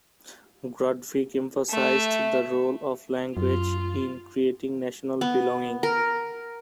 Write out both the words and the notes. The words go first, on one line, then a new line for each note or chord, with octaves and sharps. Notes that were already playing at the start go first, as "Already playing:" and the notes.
Grundtvig emphasized the role of language in creating national belonging.
A3 E5
F#2 F4
B3
A#4